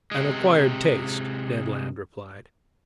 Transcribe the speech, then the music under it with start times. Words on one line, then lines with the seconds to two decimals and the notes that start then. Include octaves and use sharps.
"An acquired taste," Ned Land replied.
0.11 C3 G#3